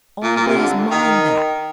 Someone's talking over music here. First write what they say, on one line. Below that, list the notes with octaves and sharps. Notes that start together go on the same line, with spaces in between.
Always mind that.
A#2
A#2
C3
D3
D#3